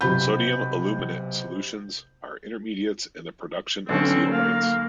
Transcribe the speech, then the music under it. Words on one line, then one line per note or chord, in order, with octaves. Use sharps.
Sodium aluminate solutions are intermediates in the production of zeolites.
B1 C3 B5 G6
B1 D3 C4 C#4
A#3 F5